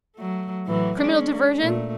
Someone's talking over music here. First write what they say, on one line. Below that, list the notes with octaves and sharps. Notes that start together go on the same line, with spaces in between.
Criminal diversion?
F#3 A3
A2 E3 F#3
G#3 C#4 D4
A#2 A3